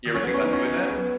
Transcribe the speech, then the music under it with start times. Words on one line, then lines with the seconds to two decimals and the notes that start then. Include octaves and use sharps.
You ever think about doing that?
0.06 D#3
0.15 F#3 C#4
0.24 B3
0.28 F#3
0.34 C#4
0.44 D#4
0.53 F#3 C#4
0.90 B3